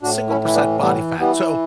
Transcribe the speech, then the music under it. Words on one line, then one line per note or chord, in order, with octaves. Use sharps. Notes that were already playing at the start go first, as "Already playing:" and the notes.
single percent body fat. So,
A2 D4 F#4
C#4 E4
E3
E4
B3 D4
E3 G3 B3
E3 G3 B3